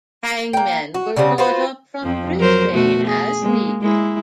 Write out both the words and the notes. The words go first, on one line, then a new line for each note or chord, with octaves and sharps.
Hangmen were brought up from Brisbane as needed.
A#3 G5
F#4
C#3 G3 B3 C4
F4 F#4 B4 C5
F2 F3
F#3 A#4 C5
B2 A3 F#4
G#4
G#3 A#3
G#3 E4